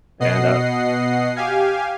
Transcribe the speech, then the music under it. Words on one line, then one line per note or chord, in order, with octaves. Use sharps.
And, uh
B2 D#5 F#5 C7
G4 F5 G#5